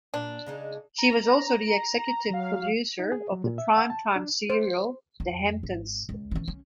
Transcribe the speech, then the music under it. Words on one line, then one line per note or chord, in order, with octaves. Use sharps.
She was also the executive producer of the primetime serial "The Hamptons".
A#2 D4
C#3 G#3 D#4
A#5
F#3 F5
D#4
G#4
F#3
A#2
E5
F#5
A5
D4
C5
F2
G#1
C#2
E3 C#4
C#4